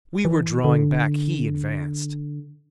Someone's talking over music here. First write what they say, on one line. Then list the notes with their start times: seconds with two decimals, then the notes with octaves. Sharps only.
We were drawing back, he advanced!
0.25 E3
0.65 D3